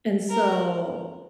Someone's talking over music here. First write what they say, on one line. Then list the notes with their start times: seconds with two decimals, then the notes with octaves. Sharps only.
and so
0.30 A#4